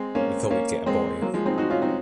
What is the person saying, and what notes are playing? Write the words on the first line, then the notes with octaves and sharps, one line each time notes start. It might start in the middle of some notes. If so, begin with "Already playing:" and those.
We thought we’d get a boy.
Already playing: G#3 C4
A#3 C#4
A#3 C#4
G#3 C4
F#3 A#3
F3 G#3
C4 D#4
D#4 F#4
C#4 F4
C4 D#4